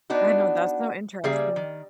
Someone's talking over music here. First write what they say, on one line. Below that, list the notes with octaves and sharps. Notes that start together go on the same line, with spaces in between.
I know, that's so interesting.
B3 D4 D#4 F#4
C#3 G3 A#3 G#4 E5
D#3